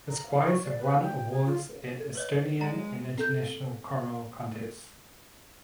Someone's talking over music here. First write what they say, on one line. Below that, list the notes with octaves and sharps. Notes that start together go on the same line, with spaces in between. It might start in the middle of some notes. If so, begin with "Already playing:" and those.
His choirs have won awards at Estonian and international choral contests.
A#5
F5
C#6
D5
B4
G5
G5
G#4
F4
B4 C#5 D#5
G#3 A#5
C4 A4 G6